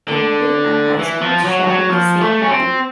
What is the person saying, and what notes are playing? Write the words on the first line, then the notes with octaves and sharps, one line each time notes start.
The middle and high schools share the same building.
D3
E3
F3
F#3
F#3
F3
A3
C#4
C4